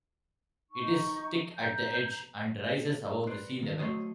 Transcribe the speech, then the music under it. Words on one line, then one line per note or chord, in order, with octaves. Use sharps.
It is thick at the edge, and rises above the sea level.
D#4 C#6
A#5 G6
B4 C5 D5
C#2 D#3
F#3 A3 C4 C5 C#5 D#5